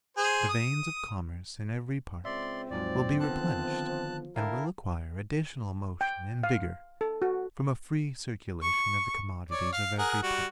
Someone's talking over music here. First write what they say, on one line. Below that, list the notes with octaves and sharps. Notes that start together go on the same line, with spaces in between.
The veins of commerce in every part will be replenished, and will acquire additional motion and vigor from a free circulation of the commodities of every part.
G#4 C5
D#6
C#2 C4 D5 E5 C6
D#2 G#2 F3 F#3 D5
D3 D#3 F3 B3 A5 F#6
D3 E4 A#4 F5 G5 A5
G5
F5
A4
F#4
C#6
C#5 D5
F5
G#4 A#4 F#5
G3 F#4